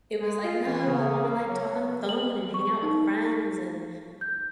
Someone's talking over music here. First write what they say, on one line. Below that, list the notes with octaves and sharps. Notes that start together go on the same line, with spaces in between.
it was like, "No, I wanna like talk on the phone and hang out with friends," and,
G#3
F4
E3
C#3
A#3
F#3
F#7
C#6
D#4
G6